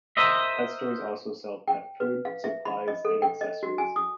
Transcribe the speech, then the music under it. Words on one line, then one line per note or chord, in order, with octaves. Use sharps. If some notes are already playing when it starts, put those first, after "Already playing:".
Pet stores also sell pet food, supplies, and accessories.
A#4 C5 D#5 E5
G5
B4
F5
E5
B5
D#5
A4
G5
D#5
F#4
G#5
D#6